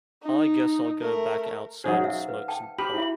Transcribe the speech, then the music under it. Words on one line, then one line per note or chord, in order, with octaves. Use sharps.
I guess I'll go back outside and smoke some pot.
D#4
A3 A#4
F#3 D#4 G#4 C5 D#5 F#5
E5 F5 E6
B4
G5 A5
G4 A#5 B5
E4 F#4 E5